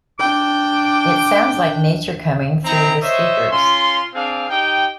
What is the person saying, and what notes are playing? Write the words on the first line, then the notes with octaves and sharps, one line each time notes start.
It sounds like nature coming through the speakers.
D4 G5 D6
C4 D#4 E4 G5 A#5
C5 C#5 D#5 E5
C#4 F4 C6
C4 D4 G#4 F5
D#4 G4 G5